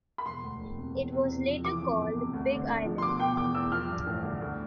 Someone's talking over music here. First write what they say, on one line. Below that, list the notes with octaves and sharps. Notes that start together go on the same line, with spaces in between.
It was later called Big Island.
B5
E1 C6
D2
E1
C3
E2
C3
E2
F3
E3 D6
F2
G1
C3
D2
D3
D2
F3
C6
B2 D6
B2 G5
E2 D6
E2 E6
F3 F6
G2
A1
D3
D2